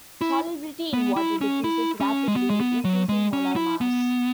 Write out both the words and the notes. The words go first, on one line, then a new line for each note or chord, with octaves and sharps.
Solubility in water decreases rapidly with increasing molar mass.
E4
B3
E4
C#4
E4
C#4
G#3
B3
G#3
B3
F#3
G#3
C#4
E4
B3